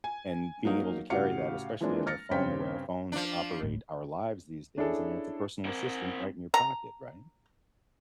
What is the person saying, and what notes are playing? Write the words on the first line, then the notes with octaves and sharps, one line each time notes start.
and being able to carry that, especially in our phone, the way our phones operate our lives these days, I mean, it's a personal assistant right in your pocket, right?
G#5
F#3 A#3 D#4 F5
A2 C#3 F#4 G4 F5 C#7
E3 F3 G#3 A#3 C4 D4
F6 A6 A#6 C#7
G2 C#3 C4 C#5 G5 B6
F3 D4
D1 G1 A2
C#4 D4 E4 G#4 A4
C4 A#4
A#5